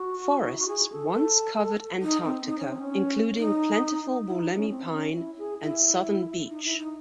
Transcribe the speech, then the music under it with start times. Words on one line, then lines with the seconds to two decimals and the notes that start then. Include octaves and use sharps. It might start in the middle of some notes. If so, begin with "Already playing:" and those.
Forests once covered Antarctica, including plentiful Wollemi Pine and Southern Beech.
Already playing: F#4
0.39 D#4
0.49 E4
0.59 F#4
0.68 G#4
0.91 A4
1.13 A4
2.02 D#4
2.25 C4
2.47 D#4
2.59 C#4
2.69 C4
2.80 C#4
3.37 D#4
4.27 E4
4.40 D#4
4.56 C#4
4.71 C4
4.93 C#4
5.15 E4
5.38 G#4
5.61 E4
6.49 D#4
6.65 E4
6.79 D#4